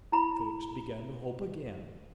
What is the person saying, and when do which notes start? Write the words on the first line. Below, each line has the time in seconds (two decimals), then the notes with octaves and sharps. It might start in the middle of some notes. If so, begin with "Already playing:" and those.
Fix began to hope again.
0.12 E4 A#5 B5